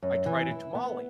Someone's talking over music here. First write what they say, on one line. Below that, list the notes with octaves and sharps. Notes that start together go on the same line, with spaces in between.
I tried a tamale,
F#2
E3
E4
B3